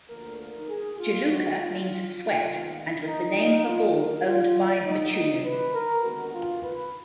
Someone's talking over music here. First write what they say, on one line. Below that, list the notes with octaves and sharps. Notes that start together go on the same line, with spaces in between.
Juluka means "sweat", and was the name of a bull owned by Mchunu.
D2 D3 F3 A#3 A#4
A#4
G#4
F4
D#2 D3 G#3 F#4
F4
D#2 D#3 G#3 B3
D#4
D#4
G#2 D#3 A#3 F4
A#4
F4
D2 D3 F3 D#4
D#4
B4
A#4
D#2 D3 G#3 B3 F#4
F4
B4